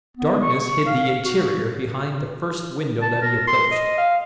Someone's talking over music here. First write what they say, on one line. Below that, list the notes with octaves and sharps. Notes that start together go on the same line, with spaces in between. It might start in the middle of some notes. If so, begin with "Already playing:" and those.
Darkness hid the interior behind the first window that he approached.
B3
C#6
F5
F#4
A5
A#4
C6
D#5
F5